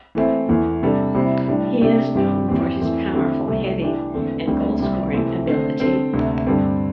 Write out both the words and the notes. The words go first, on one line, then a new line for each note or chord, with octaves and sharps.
He is known for his powerful heading and goal scoring ability.
E3 A3 C4 E4 C5
E2 E3 A3
C3 G3 D4 A4
C3 G3 E4 C5
A2 G3 D4
C3 A3 D4 G4
G2 G3 C4 G4
E2 E3 C4 G4
E2 E3 A3 C4
D3 A3 C4 E4 G4
C2 C3 A3 C4
E3 A3 D4 G4
E2 D3 A3 C4
D2 D3 G3 C4
C2 C3 G3 C4
C3 E3 A3 C4
D3 A3 C4 A4 C5
D3 C4 A4 C5
D2 C3 A3 D4
G2 D3 G3 C4 A4